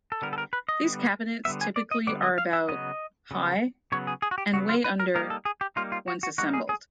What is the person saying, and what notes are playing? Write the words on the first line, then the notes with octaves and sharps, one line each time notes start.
These cabinets typically are about high and weigh under once assembled.
A4
D3 G3 B3 A#4
A4
A#4
B4
D#5
D3 G3 B3
D3 G3 B3 E5
G#5
D5
D#5
D3 G3 B3 D5
D#5
F5
E5
C#3 F#3 B3 D#5
C#3 F#3 B3
C#3 F#3 B3 C#5
G#4
G#4
F#4
G4
C#3 F#3 B3 F#4
F4
B4
A#4
G3 A#3 D#4 A#4
A4
G#4
G4
G3 A#3 D#4 F4
F4
F#4
F#4
G3 A#3 D#4 F#4
G#4
G#4